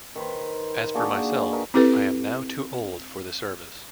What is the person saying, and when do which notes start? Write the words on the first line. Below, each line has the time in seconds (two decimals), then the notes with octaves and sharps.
As for myself, I am now too old for the service.
0.16 D#3 B4 C5
0.94 A#3 D4 F#4 G#4
1.53 D#4 A#4 B4
1.74 C4 E4 G4 A4 B4